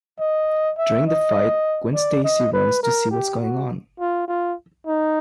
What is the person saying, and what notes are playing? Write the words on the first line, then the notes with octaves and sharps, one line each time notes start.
During the fight, Gwen Stacy runs to see what's going on.
D#5
E5
D#5
D5
D#5
B4
A#4
G4
F#4
F4
F4
D#4